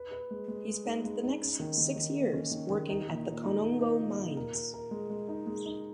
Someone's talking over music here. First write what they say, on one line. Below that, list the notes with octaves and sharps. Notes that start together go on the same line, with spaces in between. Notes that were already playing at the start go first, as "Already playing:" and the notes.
He spent the next six years working at the Konongo mines.
Already playing: B4
B4
G#3
G#3
G#3
D#4
G#3
D#4
C#4
D#3
D#3
D#3
A#3
C#4
D#3
D#3
D#4
A#2
A#2
D#4
D#4
D#4
A#2
A#2
A#4
A#4
A#4
G#3
G#3
D#4
G#3
D#4